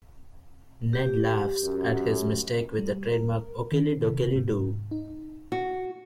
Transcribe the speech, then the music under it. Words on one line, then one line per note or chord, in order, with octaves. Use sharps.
Ned laughs at his mistake with a trademark okely dokely do!
G4
F#2
G3
A#4
D#3
C3
G#2
D#4
F#4